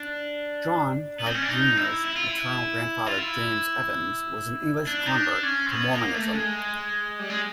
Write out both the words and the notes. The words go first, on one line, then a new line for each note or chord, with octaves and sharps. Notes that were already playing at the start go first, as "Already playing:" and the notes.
John Held Jr.'s maternal grandfather, James Evans, was an English convert to Mormonism.
Already playing: D4
B3
C4
C#4
D4
D#4
E4
E4
F4
E4
F4
E4
D4
D#4
D4
C#4
C4
B3
A#3
A3
G#3
G3
G#3